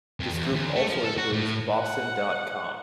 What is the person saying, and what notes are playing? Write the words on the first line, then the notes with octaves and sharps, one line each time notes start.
This group also includes boston dot com.
F2
E2
D2
A3
F3
A4
F#4
A2
F#5